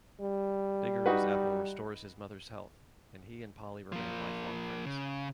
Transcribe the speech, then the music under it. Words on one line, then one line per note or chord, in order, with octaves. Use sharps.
Digory's apple restores his mother's health, and he and Polly remain lifelong friends.
G3
D#4 F#4 B4
F3 A#3
C#3